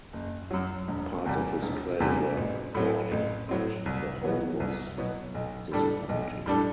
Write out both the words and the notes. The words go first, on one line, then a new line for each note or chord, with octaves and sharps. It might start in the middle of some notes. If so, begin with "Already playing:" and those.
Parts of his play were rewarding but the whole was disappointing.
F#1
F#2 F#3
E1
E2 C3 G3
E1
E2 C3 G3
A1
A2 F#3 C4
A1
A2 F#3 C4
C2
B2 F#3 B3
C2
B2 F#3 B3
B1
A2 G3 D4 A4
B1
A2 G3 D4 A4